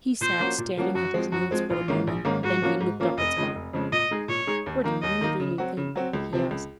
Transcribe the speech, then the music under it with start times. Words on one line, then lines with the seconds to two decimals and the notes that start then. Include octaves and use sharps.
He sat staring at his notes for a moment; then he looked up at Spargo. "What do you really think?" he asked.
0.21 A#2 C5
0.40 F3 A#3 C#4 F#4
0.58 A#2
0.77 F3 A#3 C#4 F#4
0.95 F#2 F#4
1.14 F3 G#3 C4
1.32 F#2 F#4
1.51 F3 G#3 C4
1.70 A#1 F4
1.88 G#2 D#3 A#3 C#4
2.07 A#1
2.25 G#2 D#3 A#3 C#4
2.43 G#2 F#4
2.62 F3 A#3 C#4 F4
2.81 G#2
3.00 F3 A#3 C#4 F4
3.17 F1 D#5
3.37 F2 C#3 F3 G#3
3.55 F1
3.73 F2 C#3 F3 G#3
3.92 A#2 D#5
4.11 G#3 D#4 G#4
4.28 A#2 C#5
4.47 G#3 D#4 G#4
4.66 D#2
4.84 D#3 A#3 D#4
5.03 D#2 D#5
5.21 D#3 A#3 D#4
5.40 C#3
5.58 F#3 C4 F#4
5.77 C#3
5.96 F#3 C4 F#4
6.13 C#2
6.33 C3 F3 C4
6.51 C#2